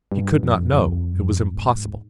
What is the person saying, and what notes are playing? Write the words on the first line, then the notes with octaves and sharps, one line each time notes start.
He could not know. It was impossible.
G2
F2
F2
F#2
F2
A2
G#2